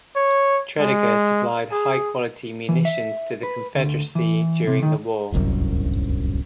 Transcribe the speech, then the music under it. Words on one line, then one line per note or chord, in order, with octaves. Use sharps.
Tredegar supplied high-quality munitions to the Confederacy during the war.
C#5
G#3
G#4
E3
E5
B4
D2
E3
C3
D#3
D1 G1 C2 F#2